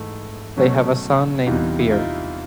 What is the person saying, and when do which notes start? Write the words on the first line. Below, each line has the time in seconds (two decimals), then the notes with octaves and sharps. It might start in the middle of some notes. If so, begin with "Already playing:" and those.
They have a son named Veer.
Already playing: G#2 E3 A3 E4
0.57 B2 F#3 A3 C#4
1.46 E2 C3 E3 G3 D#4 F4
1.79 E4
1.91 D#4 F4